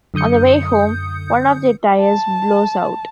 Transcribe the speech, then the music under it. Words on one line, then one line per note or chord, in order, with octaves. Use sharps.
On the way home, one of their tires blows out.
F#2 D3 D#6 G6 C#7
A5